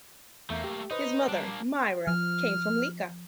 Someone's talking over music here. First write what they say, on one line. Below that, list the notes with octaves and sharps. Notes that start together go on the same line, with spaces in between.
His mother Mira came from Lika.
E2 A3 A#3 E5 G6
G4
D#4 B4 C5 D#5
G3 A#3 D4
F3 F6